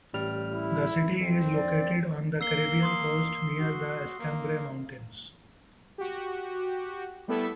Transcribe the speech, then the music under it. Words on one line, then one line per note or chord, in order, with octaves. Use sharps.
The city is located on the Caribbean coast near the Escambray Mountains.
A1 G3 F6
E4
F2 C4
D5
A#3 E6 C7 G7
C6 D#6 C7
F#4
A#3
F#4 G4
G3 A3 B3 E4 A4 E5